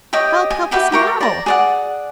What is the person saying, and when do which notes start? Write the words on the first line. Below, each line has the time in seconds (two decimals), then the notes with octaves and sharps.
Help, help us now!'
0.13 G4 C#5 D#5 G5
0.50 G#5
0.71 F#4 G4 B4 E5
0.92 G4 A#4 C#6
1.21 D5 A#5
1.46 G#4 D5 F#5